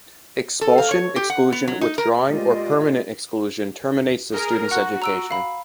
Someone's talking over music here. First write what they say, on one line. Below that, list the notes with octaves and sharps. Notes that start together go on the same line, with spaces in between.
Expulsion, exclusion, withdrawing, or permanent exclusion terminates the student's education.
A4
F5
C#5
G4
F#5
B3
F#3
D#4
A#4
G#3 A3 F4 G4 D5 D#5
G#4 A#4
F#4 F#5 C#6 F#6
A#5 E6 D7
F5 B5